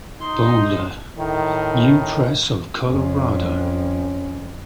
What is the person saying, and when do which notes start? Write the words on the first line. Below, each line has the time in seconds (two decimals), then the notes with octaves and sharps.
Boulder: U Press of Colorado.
0.20 D#4 C6
1.18 A2 D#3
2.89 F2 C#4